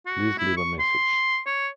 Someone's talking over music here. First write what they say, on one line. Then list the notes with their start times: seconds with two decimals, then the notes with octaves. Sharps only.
Please leave a message!
0.06 F#4
0.38 E4
0.57 C#6
0.79 C6
1.46 C#5